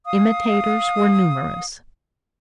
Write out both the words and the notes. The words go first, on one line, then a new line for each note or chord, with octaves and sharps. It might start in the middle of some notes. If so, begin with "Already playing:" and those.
Imitators were numerous.
F5 D#6